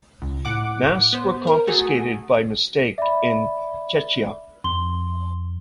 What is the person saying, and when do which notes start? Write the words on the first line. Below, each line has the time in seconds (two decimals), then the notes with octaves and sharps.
Masks were confiscated by mistake in Czechia.
0.22 C#2
0.45 A2 F#5 D6
1.13 B3 C5
1.47 A#4
1.67 A3 F#4 G#4
2.98 D5 E5 B5
4.64 F2 C6 G7